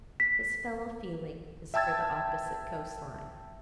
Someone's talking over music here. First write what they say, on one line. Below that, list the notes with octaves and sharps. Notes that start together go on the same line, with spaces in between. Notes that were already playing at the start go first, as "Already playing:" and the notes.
His fellow-feeling is for the opposite coast-line.
B6
E5 G5 A5 E6 G#6 A6